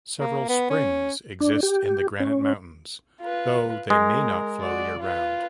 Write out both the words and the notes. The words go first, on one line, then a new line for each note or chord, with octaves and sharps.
Several springs exist in the Granite Mountains, though they may not flow year round.
A#3
B3
C#4
D4
G4
C#4
F4 B4
G#3 A#4
F#4 D5
F4 B4